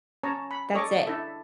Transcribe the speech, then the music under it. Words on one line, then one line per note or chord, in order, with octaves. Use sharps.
that's it.
C#4 C#5 A5 A#5
B5
G#4 A4 C#5 D#5 C#6 D6
D4 E4 A4 E5